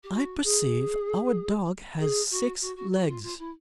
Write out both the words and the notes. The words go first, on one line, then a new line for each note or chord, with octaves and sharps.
"I perceive our dog has six legs."
G4
F#4
G#4
G#4
F#4
F#4
F#4
F#4
F4
F4
E4